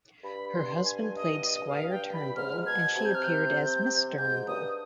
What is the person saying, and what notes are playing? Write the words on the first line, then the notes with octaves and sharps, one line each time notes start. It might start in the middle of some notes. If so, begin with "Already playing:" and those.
Her husband played Squire Turnbull and she appeared as Miss Turnbull.
G2 B5
C6
G#5
D#5
D#5
F5
G5
B5
G#2 F6
B2 G#6
C3 G#6
G6
F6
G6
G#2 G6
G2 D#6